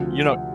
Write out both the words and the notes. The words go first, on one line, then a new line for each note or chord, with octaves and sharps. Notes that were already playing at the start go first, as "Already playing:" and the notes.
you know
Already playing: D2 C3 F3